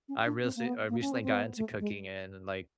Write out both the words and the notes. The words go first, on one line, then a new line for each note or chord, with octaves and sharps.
I rece I recently got into cooking and like,
C#4
D4
C4
A#3
B3
A#3
C#4
C4
C4
B3
A3
G#3